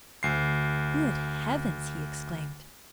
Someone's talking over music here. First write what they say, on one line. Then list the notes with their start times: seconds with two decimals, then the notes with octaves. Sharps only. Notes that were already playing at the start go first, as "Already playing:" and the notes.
"Good heavens!" he exclaimed.
0.23 D2 C7